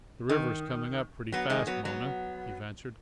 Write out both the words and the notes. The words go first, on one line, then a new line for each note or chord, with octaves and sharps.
"The river's coming up pretty fast, Mona," he ventured.
D#3
F#3 B3
D#3 G#3
F#3 B3
F#3 B3